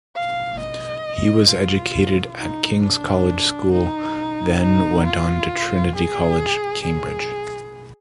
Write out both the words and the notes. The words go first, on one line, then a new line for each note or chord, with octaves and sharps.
He was educated at King's College School then went on to Trinity College, Cambridge.
F5
D#5
F4
D#4
D4
D#4
D#4
F4
G#4
G#4